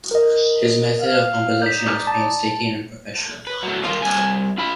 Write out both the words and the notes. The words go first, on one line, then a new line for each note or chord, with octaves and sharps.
His method of composition was painstaking and professional.
A#4 D#5
F5
D#4 D5 G6 B6
A5
B4
F#3 A3
D#3 F4
C2 G#5
F4 B5